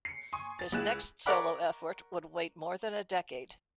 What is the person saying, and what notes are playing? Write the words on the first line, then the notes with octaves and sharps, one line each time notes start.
His next solo effort would wait more than a decade.
C7 C#7
G#5 C6 C#6 D#6
A6
C#2 E4 G#4 F#6 E7
A#4 C#5 D5 F#5 B5